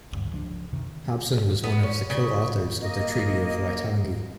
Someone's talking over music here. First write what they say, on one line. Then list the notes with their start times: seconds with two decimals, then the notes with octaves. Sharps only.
Hobson was one of the co-authors of the Treaty of Waitangi.
0.12 D1 G#1 D2 G2
0.31 C#2 F3 C#4 D4
0.72 F2 C3 D#3
1.64 B3
1.83 C#4
2.10 C#3
2.81 A#3 D#5